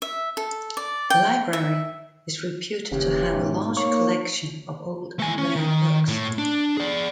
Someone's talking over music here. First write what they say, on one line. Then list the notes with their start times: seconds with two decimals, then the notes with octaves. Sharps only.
The library is reputed to have a large collection of old and rare books.
0.02 E5
0.37 A4
0.77 D5
1.10 G5
1.53 E5
2.92 F1 D#2 C#3 E3 C#4 G4
3.33 G#2 B2 D#4
3.77 A#3 C#5
5.20 A3 G#5
5.38 C#4
5.56 D#3
6.09 A2
6.38 D4
6.77 G#4 D5